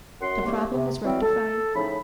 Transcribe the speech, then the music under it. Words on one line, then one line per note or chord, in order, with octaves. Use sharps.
The problem was rectified.
F#2 F#5 C6
C2 G3 A3 A#3
C3
E3 F#3 G3 C4
A4
A2 C#3 F3 D#4 B5